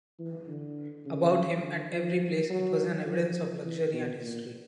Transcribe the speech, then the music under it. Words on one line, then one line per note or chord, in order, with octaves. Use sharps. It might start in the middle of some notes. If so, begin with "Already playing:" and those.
About him, at every place,it was an evidence of luxury and history.
E3
D3
C#3
D3
F3
F#3
F3
E3
B2
A#2